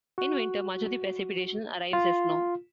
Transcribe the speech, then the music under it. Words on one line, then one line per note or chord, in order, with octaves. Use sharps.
In winter, much of the precipitation arrives as snow.
F#4
F4